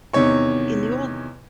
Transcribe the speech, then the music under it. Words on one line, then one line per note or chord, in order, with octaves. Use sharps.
in the old,
E2 C3 D#3 C#5 C#6